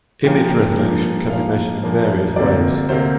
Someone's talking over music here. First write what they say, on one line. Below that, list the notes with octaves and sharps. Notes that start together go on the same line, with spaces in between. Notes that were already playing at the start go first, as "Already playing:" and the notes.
Image resolution can be measured in various ways.
A#2 F3 A#3 G5
G5
A#2 F3 A#3
A#2 F3 A#3 F5
A#2 F3 A#3
D2 C3 A#3 D5
D2 C3 A#3 C5